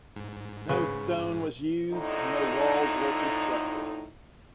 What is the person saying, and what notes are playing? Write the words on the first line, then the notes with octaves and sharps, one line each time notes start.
No stone was used and no walls were constructed.
G#2
C#3 B4
F2 A2 D3 D#4